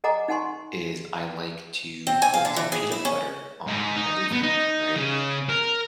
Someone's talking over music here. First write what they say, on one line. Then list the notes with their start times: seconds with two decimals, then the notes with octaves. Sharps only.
is I like to put peanut butter on everything, right?
0.04 A4 D#5 F#5 G#5 A#5 D6
0.28 D#4 F#5 G#5 C6 C#6
2.07 C4
2.22 G#5
2.34 F5
2.45 D3
2.56 E3
2.72 G#4
2.92 E4
3.05 C#4
3.67 G#2
3.96 D#4
4.32 B3
4.43 D#4
4.96 C#3
5.49 A#4